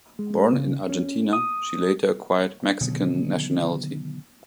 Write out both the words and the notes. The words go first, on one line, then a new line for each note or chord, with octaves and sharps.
Born in Argentina, she later acquired Mexican nationality.
G#3
C#3
C#4
D#6
B2 D3 D#3 F#3